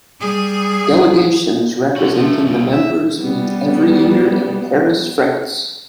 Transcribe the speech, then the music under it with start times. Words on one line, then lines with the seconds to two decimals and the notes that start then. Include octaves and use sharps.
Delegations representing the members meet every year in Paris, France.
0.20 G3 G#4
1.96 D3 F#4
2.15 F3 A3
2.46 C2 C#3
2.73 E5
3.20 G3 B3